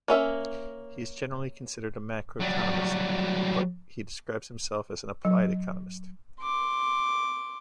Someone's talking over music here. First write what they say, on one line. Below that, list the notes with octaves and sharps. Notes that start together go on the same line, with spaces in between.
He is generally considered a macroeconomist, but he describes himself as an "applied economist".
A#3 C#4 E5
F#3 G3
F#3
C6 D6